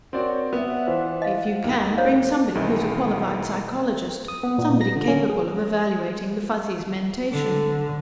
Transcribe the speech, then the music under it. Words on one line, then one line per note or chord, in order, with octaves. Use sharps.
If you can, bring somebody who's a qualified psychologist, somebody capable of evaluating the Fuzzies' mentation.
C4 F#4 A#4 C#5 D5
B3 D5 E5 F#5
E3 F4 C5
D#5 F5
D#2 D#4
D#3 C4 A4 C5 C#5 F5
B1 D#3 E3 G#3 D#5 E5
D#6
B3
A#2
A#6
D3
C#4
G#4
D3